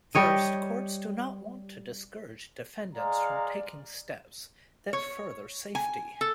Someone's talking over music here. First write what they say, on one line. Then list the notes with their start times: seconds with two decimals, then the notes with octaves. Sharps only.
First, courts do not want to discourage defendants from taking steps that further safety.
0.15 G3 G4 C#5 D#5
2.96 G#3 D5 F5 A#5
4.93 C#5
5.75 G#5
6.21 A4